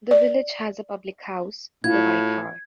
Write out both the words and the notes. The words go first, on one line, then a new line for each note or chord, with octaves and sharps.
The village has a public house, the White Hart.
D5
A2 E4 F4 G#6